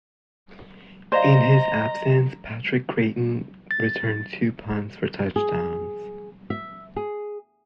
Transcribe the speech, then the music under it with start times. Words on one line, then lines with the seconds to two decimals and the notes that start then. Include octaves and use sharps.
In his absence, Patrick Crayton returned two punts for touchdowns.
1.12 C5 D5 D#5 F5 A#5
3.71 A6
5.36 G#4
6.50 E5
6.96 G#4